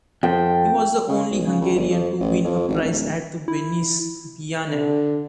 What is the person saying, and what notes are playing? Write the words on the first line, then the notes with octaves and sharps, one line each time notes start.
He was the only Hungarian to win a prize at the Venice Biennale.
F2 G5
C#3
B1
C#3
C#2
G1
F2
A1
F2
G#1
D1
E4
D3